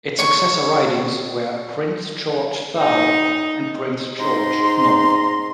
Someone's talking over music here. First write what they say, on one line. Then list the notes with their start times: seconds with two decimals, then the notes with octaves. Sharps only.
Its successor ridings were Prince George South and Prince George North.
0.19 C#5 C#6
2.78 D#4
4.19 G#2 D#4 A#5 C6